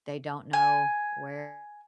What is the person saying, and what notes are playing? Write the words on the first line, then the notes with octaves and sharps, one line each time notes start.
they don't know where,
G#5